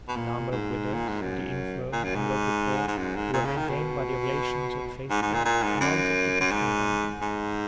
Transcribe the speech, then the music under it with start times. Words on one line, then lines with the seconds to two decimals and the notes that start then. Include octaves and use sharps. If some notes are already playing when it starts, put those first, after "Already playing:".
The number of widows, of the infirm, and of the poor, who were maintained by the oblations of the faithful, amounted to fifteen hundred.
0.08 B2
0.16 A#2
0.51 G#2
0.94 A#2
1.08 G#2
1.22 F#2
1.92 A#2
2.04 F#2
2.15 G#2
2.88 G#2
2.98 F#2
3.16 G#2
3.33 A#2
3.45 C#3
3.57 D#3
3.69 B2
5.10 G#2
5.22 G#2
5.34 A#2
5.45 A#2
5.63 G#2
5.81 F#2
6.40 F#2
6.51 G#2
7.21 G#2